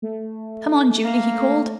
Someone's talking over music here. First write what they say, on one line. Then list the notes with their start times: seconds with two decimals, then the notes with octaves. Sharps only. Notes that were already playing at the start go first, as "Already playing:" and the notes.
"Come on, Julie," he called.
0.02 A3
1.04 A#3